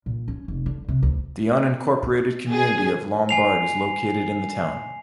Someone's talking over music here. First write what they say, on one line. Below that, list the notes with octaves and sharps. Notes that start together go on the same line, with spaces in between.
The unincorporated community of Lombard is located in the town.
A#2
C#4
F1
D3
C3
D2
G#4
G#5 C7 F7